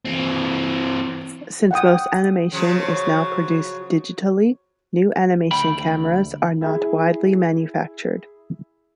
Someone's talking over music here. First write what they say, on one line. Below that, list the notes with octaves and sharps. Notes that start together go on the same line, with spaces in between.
Since most animation is now produced digitally, new animation cameras are not widely manufactured.
E3 C4
F#5 G5 D#6
C#3 F3 F#3
D2 G5 B5
E4 G#4